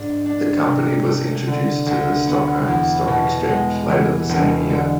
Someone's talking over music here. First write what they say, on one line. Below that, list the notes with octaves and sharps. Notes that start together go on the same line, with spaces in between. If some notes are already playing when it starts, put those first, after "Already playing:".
The company was introduced to the Stockholm Stock Exchange later the same year.
Already playing: G#2 D4
D4
C3
A3
D3
D2
B3
E2
B2
G#3
E3
E1
D3